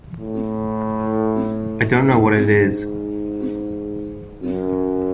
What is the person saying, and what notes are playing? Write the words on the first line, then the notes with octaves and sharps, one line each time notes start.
I don't know what it is.
A2
G#2
F#2